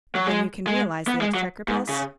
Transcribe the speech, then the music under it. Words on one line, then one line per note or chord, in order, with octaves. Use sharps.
"Then you can realize the Exchequer bills?"
F#3
G#3
G#3
B3
G#3
F#3
G#2
C#3